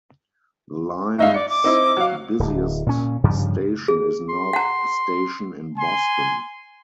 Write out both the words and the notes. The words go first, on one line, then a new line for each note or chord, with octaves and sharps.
The line's busiest station is North Station in Boston.
G1 D#4 E5 F5
D5 C#7
D6
C4 D#4 E4
F#3 F5
D1
A#2 C#4
G2 C#3 F3 G3
G#4
C6
F#5 A#5
G#5 C6